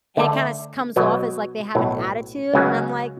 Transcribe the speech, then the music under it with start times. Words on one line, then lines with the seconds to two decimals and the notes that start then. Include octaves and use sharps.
And it kinda s comes off as like they have an attitude, and I'm, like,
0.17 D3 A3 D4 A4 D5
0.96 B2 F#3 B3
1.75 B1 A2 F#3
2.53 C#2 C#3 F#3 C#4 F#4